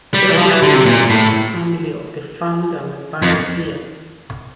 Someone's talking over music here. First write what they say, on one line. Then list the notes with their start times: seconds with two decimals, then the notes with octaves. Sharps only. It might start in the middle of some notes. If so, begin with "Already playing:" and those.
Several members of the family of the founder were buried here.
0.14 G3
0.29 E3
0.38 F3
0.50 E3
0.62 D3
0.74 C3
0.86 A#2
1.10 A2
3.22 F2